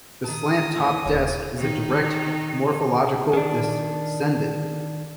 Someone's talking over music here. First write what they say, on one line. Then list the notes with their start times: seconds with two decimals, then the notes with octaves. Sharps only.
The slant top desk is a direct morphological descendant.
0.24 D#3 A5 D#6
0.76 D#2 E3
1.06 D#1 C#5
1.59 D#3 D#4
3.33 D#3 D4